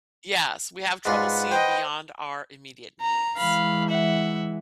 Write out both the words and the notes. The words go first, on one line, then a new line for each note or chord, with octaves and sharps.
Yes, we have trouble seeing beyond our immediate needs.
G#2 D4 F4 B4 F#5
C5 D#5 G5
A#5
E3 G#3 F5 B5
E5 F#5